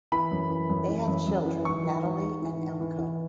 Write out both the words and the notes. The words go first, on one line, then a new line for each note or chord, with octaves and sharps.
They had children Natalie and Elko.
E3 B5
F#2
E3
F#2
E3
F#2
F#2
E3
G#2 C#6
E3
G#2
G#2
E3
G#2
E3
E3